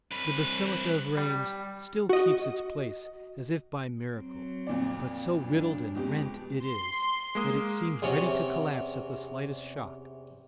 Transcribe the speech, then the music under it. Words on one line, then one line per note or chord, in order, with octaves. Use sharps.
The basilica of Rheims still keeps its place as if by miracle, but so riddled and rent it is, that it seems ready to collapse at the slightest shock.
C2 B4
G3
F#4 D#5
F#3 C4
F2 A#2 D5
F#2 D4
F2 B2 G#3 G4
C6
G#3 A#3 D#6
E2 C3 C#4